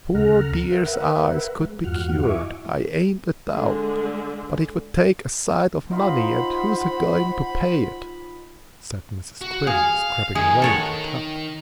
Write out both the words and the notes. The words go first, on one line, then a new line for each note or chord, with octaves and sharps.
'The poor dear's eyes could be cured, I ain't a doubt; but it would take a sight of money, and who's agoing to pay it?' said Mrs. Quinn, scrubbing away at her tub.
D2 C#3 A4 F#5 A#5 F6
A#4 B4 E5 F#5
G#3
E2 G2 F4 F#4 F#5 F6
E4 D#5 E5 G#5 C#6 D6
D3 G#3
D#4 F4 C5 F#5 B5
F#4
G#4 F5
D#3 G#4
A4 C#5 F#5